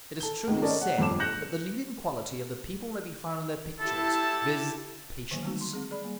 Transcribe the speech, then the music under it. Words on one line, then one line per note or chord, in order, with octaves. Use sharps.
It is truly said that the leading quality of the people may be found in their pictures; viz., patience.
A4 G7
C#2 G#2 D#3
C#4 A#4 D5 D#5 A5
F#5
G1 F2 A5 D6 E7
F#6 G6 A#6 C#7 F#7
E4 G4 A4 A5
D3 D#3 F#3 A#3
G3 A3 C4 D#4 F#4
C6
G#3 C4 G#4
G#4 D5 B5
G3 A#3